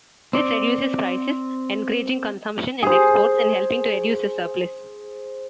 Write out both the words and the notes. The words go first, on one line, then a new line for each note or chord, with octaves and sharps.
This reduces prices, encouraging consumption and exports and helping to reduce the surplus.
C4 D5
G#4 C5